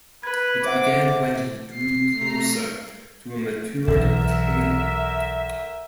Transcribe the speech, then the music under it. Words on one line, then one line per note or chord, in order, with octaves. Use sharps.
It began when he grew closer to a matured Taylor.
B4 G#6
C5 E5 F#5 D6
C7
A3 A#5
B1 D3 E3 A#4 E5